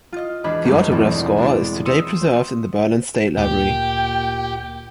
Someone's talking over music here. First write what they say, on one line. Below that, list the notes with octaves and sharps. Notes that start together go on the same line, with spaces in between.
The autograph score is today preserved in the Berlin State Library.
F4 D#5
E1 D4 G#4 B4 D#5 B5
G1 F#2 G#3 A3 B6
E2 B2 B3 C4
G#3 D5
C6 D#6 E6 C#7 D#7
D2 A#2 G4 G5